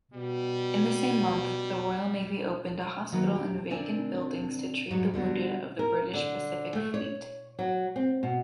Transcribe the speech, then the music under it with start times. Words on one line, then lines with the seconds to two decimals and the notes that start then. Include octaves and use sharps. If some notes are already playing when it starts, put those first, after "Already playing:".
In the same month, the Royal Navy opened a hospital in vacant buildings to treat the wounded of the British Pacific Fleet.
0.14 B2 G3
3.12 D#3 F#3 A#3 B4
3.35 G4
3.70 D3 C4 D4 A#4 G#5
4.90 G#2 F#3 G3
5.14 D3 G3 B3 F#4
5.79 A#4
6.13 D3
6.75 A3
6.94 C#5
7.59 F#3
7.96 C4
8.23 B2